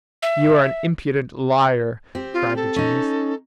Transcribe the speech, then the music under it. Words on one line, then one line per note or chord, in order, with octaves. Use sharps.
"You are an impudent liar!" cried the genius.
E5
C4 G4
F4
A4
C#4 D#4